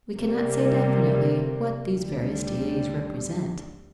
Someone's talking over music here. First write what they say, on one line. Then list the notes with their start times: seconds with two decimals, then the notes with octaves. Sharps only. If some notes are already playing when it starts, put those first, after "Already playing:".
We cannot say definitely what these various deities represent.
0.16 C3 G3 A#3
1.93 D2 D3 G3